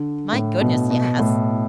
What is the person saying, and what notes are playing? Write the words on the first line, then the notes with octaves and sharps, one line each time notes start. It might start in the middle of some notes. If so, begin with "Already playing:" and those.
"My goodness, yes!"
Already playing: D3
A2
B2
B2
A2